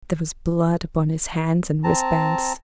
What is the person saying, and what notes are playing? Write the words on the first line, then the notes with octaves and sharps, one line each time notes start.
There was blood upon his hands and wrist-bands!
C4 A5 A#5